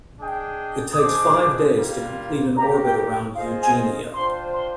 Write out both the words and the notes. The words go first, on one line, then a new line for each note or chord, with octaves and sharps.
It takes five days to complete an orbit around Eugenia.
D4 G#4 D#5 G5
D#6
D4 G#4 C5 D#5 D6
G3 A#3 F4
A#3 D#4 G4 A#5
G5
G5
F4 G#4 C5 D#5 F5
G#5
D4 F4 C5 G5 C6
C6